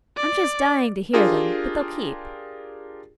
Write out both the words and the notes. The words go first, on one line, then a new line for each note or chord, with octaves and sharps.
I'm just dying to hear them, but they'll keep.
D5
D4 F4 G4 G#4 A#4